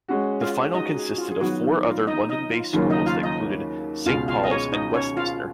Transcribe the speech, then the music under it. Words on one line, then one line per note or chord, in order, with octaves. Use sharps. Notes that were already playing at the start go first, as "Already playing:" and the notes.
The final consisted of four other London-based schools that included Saint Paul's and Westminster.
G#3 C#4 F#4
F4 F5
D#4 D#5
G#4
F4
G#4
D#3 F#3 B3 F#4
D#4
F4
D#4 D#5
D#4 D#5
F4
D#2 C#3 F#3 A#3 F4
D#4 D#5
F4 F5
D#4 D#5
C#2 B2 G#3 F4 F5
F4 F5
D#5
C#4 C#5
D#4 D#5
C#4 C#5
F4 F5